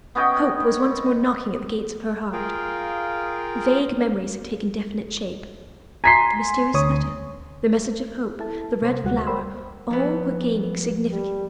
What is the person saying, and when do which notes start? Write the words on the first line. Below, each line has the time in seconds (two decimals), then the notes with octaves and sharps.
Hope was once more knocking at the gates of her heart--vague memories had taken definite shape ... the mysterious letter ... the message of hope ... the red flower ... all were gaining significance.
0.15 B3 C#4 D#5 G5
2.33 F4 G#4 A#4 F5 G5
6.04 G#5 A#5 C6 B6 C7
6.74 D2 C#5 D#6
8.39 E4 A4 A5
8.82 C3 B3 C5
9.04 D2 G3 G#3 F#4 F#5
9.27 A#4 C5 G5 B5 C6 E6
9.90 F2 B3
11.11 G3